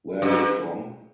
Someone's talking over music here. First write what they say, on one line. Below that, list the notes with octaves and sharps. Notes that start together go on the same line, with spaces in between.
Where you from?
G2